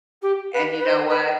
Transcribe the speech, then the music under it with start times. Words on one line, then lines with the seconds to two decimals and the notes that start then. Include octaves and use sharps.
and you know what?
0.22 G4
0.53 B4
0.80 B4
0.85 C5
1.09 B4